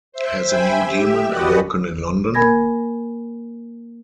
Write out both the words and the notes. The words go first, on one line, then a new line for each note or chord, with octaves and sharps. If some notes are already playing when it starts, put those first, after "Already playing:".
Has a new demon awoken in London?
C5 E5
C5 E5 G5 G#5 B5
G4 E5
F#4 G4 B4 D5 D#5 F#5
A#3 A#4 G#5 B5 G#6 A#6